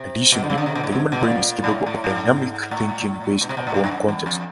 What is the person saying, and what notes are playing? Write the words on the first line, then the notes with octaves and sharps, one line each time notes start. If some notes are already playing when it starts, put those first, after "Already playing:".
Additionally, the human brain is capable of dynamic thinking based upon context.
Already playing: C3
B2
D3
C#3
D3
C3
B2
A2
G#2
B2
A#2
G#2
A2
A2
G#2
A2
B2
C3
B2
A2
G#2
G2
F#2
E2
F2